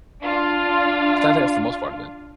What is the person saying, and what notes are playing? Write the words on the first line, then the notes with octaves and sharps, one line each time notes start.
I think that's the most part of it.
D4 F4 F5